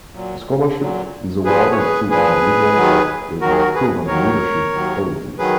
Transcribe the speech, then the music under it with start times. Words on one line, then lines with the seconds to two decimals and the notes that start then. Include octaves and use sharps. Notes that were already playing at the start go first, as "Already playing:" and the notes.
The scholarship is awarded to individuals with proven leadership qualities.
0.14 A#2 F#3
0.79 A#2 F#3
1.44 A#2 F3 G#4 B4
1.72 C#5
1.77 G#4 B4
2.10 A#2 F3 G#4 B4
2.75 D#2 D#3 F#3
3.41 D#2 D#3 F#3 F#4 A#4
3.51 G#4
3.58 F#4 A#4
3.75 G#4 B4
4.06 D#2 D#3 F#3 A#4 C#5
4.73 D#2 D#3 F#3
5.38 D#3 F#3 G#4 B4